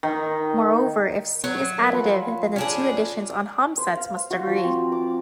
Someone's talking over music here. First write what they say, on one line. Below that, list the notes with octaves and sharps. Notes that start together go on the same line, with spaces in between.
Moreover, if C is additive, then the two additions on hom-sets must agree.
D#3
F#3
A#4 F#5
F3 B5
C#4 D4 G#4
C5
F5
F#4
F3
C4
D6